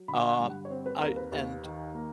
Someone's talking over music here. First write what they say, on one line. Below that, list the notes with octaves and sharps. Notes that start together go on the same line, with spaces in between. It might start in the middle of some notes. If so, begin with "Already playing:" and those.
Um, I and
Already playing: F#3
D3 B5
F#5
G2
F#5
C#5
C4 C5
B4
D#2 A#4
B4
D#2
D#3
A#3